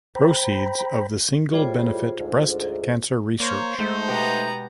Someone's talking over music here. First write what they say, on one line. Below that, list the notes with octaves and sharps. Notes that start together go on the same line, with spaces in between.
Proceeds of the single benefit breast cancer research.
C5 G5 A#5 B5
A2 G3 F4 G#4 C5
D2 G#2
A#3 C5 C#5
G#2 A3 D#4 C5
B2 B3 G4 A#5